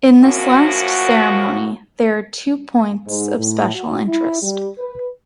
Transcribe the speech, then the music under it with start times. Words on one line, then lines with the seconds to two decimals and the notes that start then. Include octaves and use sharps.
In this last ceremony, there are two points of special interest.
0.22 F#2 A2 F3 A#3 F#4
3.07 G#2
3.39 A2
3.75 F#4
4.08 E4
4.42 G3
4.79 B4